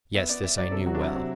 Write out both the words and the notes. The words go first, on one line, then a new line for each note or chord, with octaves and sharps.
Yes, this I knew well.
B3 E5
B3 D5
B3 E5
F#3 D5
C3 A4
F#3 F#4
D4
C3 E4
C3 F#4